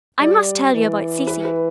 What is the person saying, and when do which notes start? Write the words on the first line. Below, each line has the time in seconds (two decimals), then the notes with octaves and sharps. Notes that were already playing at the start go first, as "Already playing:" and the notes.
I must tell you about Cecy.
0.20 G3 D5
0.74 E3
1.27 B4
1.45 B4